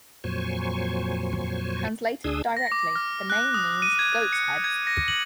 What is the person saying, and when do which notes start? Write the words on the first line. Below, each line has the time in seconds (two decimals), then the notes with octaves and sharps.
Translated directly, the name means "Goats' Heads".
0.24 F2 A#2 F#3 C5 G#5 C#6
2.24 D2 D4 G#4 D#6 E6
2.57 A#6
2.72 D6
2.96 F6
3.30 F#6
3.54 D#6
3.82 D#7
3.99 G#6
4.33 C#7
4.64 G#6
4.87 A#6
5.08 F#7